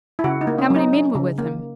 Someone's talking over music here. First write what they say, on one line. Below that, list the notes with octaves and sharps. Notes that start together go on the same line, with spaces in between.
'How many men were with him?'
E4
C#3 F#4
D#4
A#3
C#4
F#3
D#4
C#4
C#3
A#3